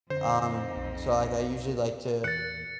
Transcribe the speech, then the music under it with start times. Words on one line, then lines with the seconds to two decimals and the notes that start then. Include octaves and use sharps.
Um, so, like, I usually like to,
0.10 F2 D3 D#4 C5
0.77 B1
2.24 E2 F#6 A6 C#7